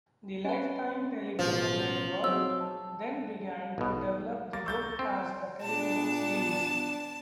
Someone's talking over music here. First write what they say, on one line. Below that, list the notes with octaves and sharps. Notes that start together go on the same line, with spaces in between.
The Lifetime Television network then began to develop the book as a television series.
C#4 B4 C#5 F#5
A1 B2 F3
F#3 C4 D#4 F#4 G#4 C#5 E6
A5
B1 B2 D#4
A#3 A6 A#6
C#6 E6 G6 A6
C4
A#2 B3 D4 A5